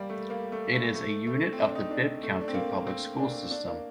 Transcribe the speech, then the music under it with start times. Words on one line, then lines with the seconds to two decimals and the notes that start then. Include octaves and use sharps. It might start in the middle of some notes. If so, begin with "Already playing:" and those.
It is a unit of the Bibb County Public School System.
Already playing: G3 A#3
0.10 A3
0.30 A#3
0.52 A3
0.73 A3
0.95 A3
1.27 A3
1.52 C4
1.59 D4
1.75 D#4
1.91 D4
2.23 A3
2.41 D4
2.48 C4
2.54 A#3
2.87 C4
3.19 D4
3.51 D4
3.67 A#3